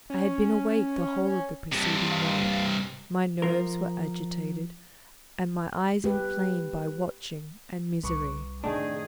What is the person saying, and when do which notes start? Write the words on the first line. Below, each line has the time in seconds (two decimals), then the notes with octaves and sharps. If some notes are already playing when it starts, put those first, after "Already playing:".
I had been awake the whole of the preceding night, my nerves were agitated, and my eyes inflamed by watching and misery.
0.10 C#4
1.72 G2 C3
2.11 F5
3.42 F3 A#4
6.04 G4 B4
8.03 C2 B4 C#6 D6
8.64 A2 C3 D#3 D4 G#4